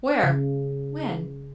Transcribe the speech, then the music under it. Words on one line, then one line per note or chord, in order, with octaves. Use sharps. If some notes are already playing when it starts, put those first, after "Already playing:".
"Where? When?"
C#3